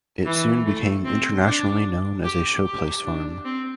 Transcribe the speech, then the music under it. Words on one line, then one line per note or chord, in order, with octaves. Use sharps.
It soon became internationally known as a showplace farm.
E3
A3
C4
D4
G4
G4
D4
C4